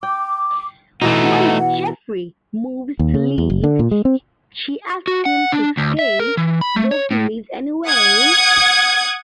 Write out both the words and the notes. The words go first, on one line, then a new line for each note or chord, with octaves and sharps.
When Jeffrey moves to leave, she asks him to stay, though he leaves anyway.
G5 D6
B2 E3 A3 D#4 F#5
D#2
C#3
E2
F#1
D3
A#2
G#3
C4
F#4
F#5
D4
D2
E5
A#4
E3
B5
A3
C#5
A2
F#5 D#6 G#6